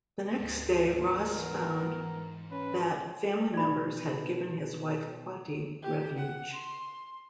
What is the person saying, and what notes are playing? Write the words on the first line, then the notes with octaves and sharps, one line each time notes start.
The next day, Ross found that family members had given his wife Quatie refuge.
D2 G#2 G#3
A#4
E3 B3
C#4 B4
B2 D#4 D5 B5
G4
F#5
C6